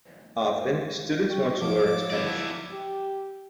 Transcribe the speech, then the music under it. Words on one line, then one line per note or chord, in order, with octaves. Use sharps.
Often, students want to learn Spanish.
G#3 A#4 C5 F5
G5 C#6
F3 F#4 C#5 D#5 F#5 A5 D6
E4 D5
G4